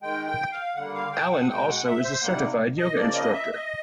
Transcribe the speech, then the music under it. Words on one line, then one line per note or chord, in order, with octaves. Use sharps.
Allen also is a certified yoga instructor.
D#3 G#3 G5
G5
F5
D3 G3 A#3 F#5
F5
G5
F#5
B2 G#3 G5
F#5
E5
C5
C3 D#3 G3 A#3 F#5
D#5
C#3 F3 A#3 D5
D#5
E5
D#5